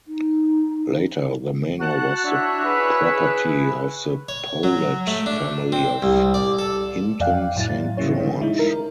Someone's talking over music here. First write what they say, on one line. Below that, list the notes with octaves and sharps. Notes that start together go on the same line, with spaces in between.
Later the manor was the property of the Powlett family of Hinton Saint George.
D#4
F#4 F#5 A5 F#6
D4 E4 C#5 E5
G#4 B4
C#5
F#3
A3
D4
C4
C2
D5
A4
F2 D5 F5 G5 F#6
A2 F#3 E4 A6
C#3 G3 A#3 C#4 E4 C#5
D3 E3 G#3
G#3 D#4 E4
A#4